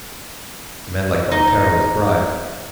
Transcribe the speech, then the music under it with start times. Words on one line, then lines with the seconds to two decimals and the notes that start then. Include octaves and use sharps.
A man like Montero is bribed.
1.32 D#4